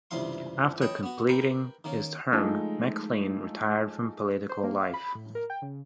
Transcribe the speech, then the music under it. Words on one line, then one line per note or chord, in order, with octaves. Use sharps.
After completing his term, McLean retired from political life.
C#2 G2 C3 E3 F5 C6
C#5 D#5 G5 A5 B5
B3 F#4
A#4 B4 G5
D#3 A#3 C#4
F3 G#3 A3 D#4
C5
A#3
F5
B5
A2
A#4
G5
C#3